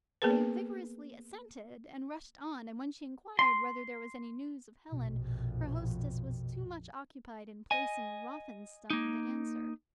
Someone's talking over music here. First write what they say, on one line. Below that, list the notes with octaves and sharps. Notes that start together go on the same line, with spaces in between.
They vigorously assented, and rushed on, and when she inquired whether there was any news of Helen, her hostess was too much occupied in placing Rothenstein to answer.
A#3 B3 G#4 A#4 B4
C6
A#1 F2 B2
D#5 G#5
A#3 D#4